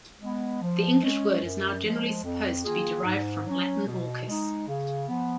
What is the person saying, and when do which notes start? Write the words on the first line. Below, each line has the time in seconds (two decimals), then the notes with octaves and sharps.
The English word is now generally supposed to be derived from Latin Orcus.
0.21 G#3 B3
0.62 F3
1.02 G#3 C#4
1.43 F#2
1.84 F3 G#3
2.24 F2
2.65 D#3 A#3 F4 G#4
3.05 G#2
3.46 F#3 C#4
3.87 B2
4.27 G#3 D#4
4.68 C#3
5.08 F3 B3